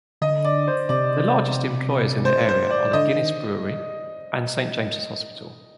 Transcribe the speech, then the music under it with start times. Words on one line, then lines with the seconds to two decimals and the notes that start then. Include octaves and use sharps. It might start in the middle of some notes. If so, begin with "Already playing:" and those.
The largest employers in the area are the Guinness Brewery and Saint James's Hospital.
0.21 D3 D#5
0.45 D5
0.68 C5
0.89 C3 D5
2.25 C5
2.49 C5
2.71 D5
2.93 D3 D#5
3.16 D#3